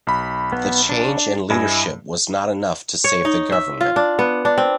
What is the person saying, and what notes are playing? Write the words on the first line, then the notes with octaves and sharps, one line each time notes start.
The change in leadership was not enough to save the government.
B1 B5
B3
D4
G2 E4 D#5 G#5
C#5
D#4
E5
F4
D4
B3
D4
C4